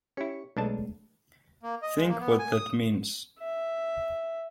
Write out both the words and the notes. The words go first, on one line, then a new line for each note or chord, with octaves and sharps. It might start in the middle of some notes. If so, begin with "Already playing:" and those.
Think what that means.
C#4 E4 G4 C#5 C#7
B1 G#3 A3 D4 A5
A#3
D#5
G#3
A#3
B3
G#5
D#6
E5